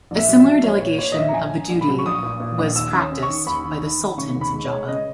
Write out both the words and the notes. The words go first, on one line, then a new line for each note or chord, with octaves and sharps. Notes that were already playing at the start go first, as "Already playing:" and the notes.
A similar delegation of the duty was practiced by the Sultans of Java.
A#1
E5
F#3
E5
F#3
A#1 C#5
A#2 C#5
A#2 C#5
D#5
A#1 E5
A#5
A#1 G#5
A#1
A#1
B5
F#3
C#6
A#1 D#6
A#2
A#2
A#1
D#2 E6
C#4
C#4
C#6
D#3
D#2 B5
D#3
D#3
D#3
C#3 C#6
D#2
B5
G#3
C#5
G#3
C#3 D#5